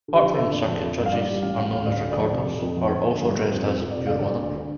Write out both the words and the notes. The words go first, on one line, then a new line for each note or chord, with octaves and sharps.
Part-time circuit judges are known as Recorders but are also addressed as "Your Honour".
D3 G4
F3
D3 A4
F2 D5
F3
F2
G1
F5
G2 D5
G3
A1 F5
A1
D2 F5
D2 D5
F5
D2
D5
F3
C3
F2
F2
F3
D3
D3
G2
G2
F2 C5
F2
F2
D5
C3
F5
D3 D5
D3
D2
D3